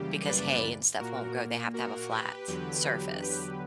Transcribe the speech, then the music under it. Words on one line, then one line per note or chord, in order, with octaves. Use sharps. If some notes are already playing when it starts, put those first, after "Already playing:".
because hay and stuff won't grow, they have to have a flat surface.
Already playing: F#2 C#3 E3 G3 A#3 G4
B4 D5
A#2 A#3 F#4 A#4
F#4 A#4
G4 B4
E2 D3 F#3 G4 B4
G4 B4